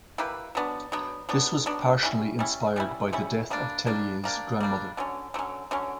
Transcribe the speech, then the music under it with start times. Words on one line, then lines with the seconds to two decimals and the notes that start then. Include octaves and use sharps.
This was partially inspired by the death of Tellier's grandmother.
0.18 A#3 E4 G4 B4
0.55 F#3 B3 D4
0.92 F#3 B3 D4
1.29 F#3 B3 D4
1.66 F#3 B3 D4
2.03 G3 C#4 E4
2.39 G3 C#4 E4
2.76 G3 C#4 E4
3.13 G3 C#4 E4
3.50 G3 A#3 D4
3.86 G3 A#3 D4
4.24 G3 A#3 D4
4.60 G3 A#3 D4
4.97 D3 F#3 C#4
5.34 D3 F#3 C#4
5.71 D3 F#3 C#4